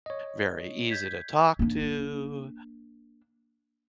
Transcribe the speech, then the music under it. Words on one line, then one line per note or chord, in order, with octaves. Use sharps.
very easy to talk to,
C#5 D#5
G6 G#6 B6
A#3 D4